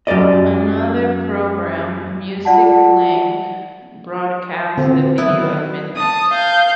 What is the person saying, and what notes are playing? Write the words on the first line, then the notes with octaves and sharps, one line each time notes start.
Another program, "Music Link", broadcast the video at midnight.
F#2 G4 D5 D#5
F4 D5 F#5 A5
A#2 D3 E3 C4 F#4
D#3 F#3 B3 E4 F#6
A5 D#6
F5 G6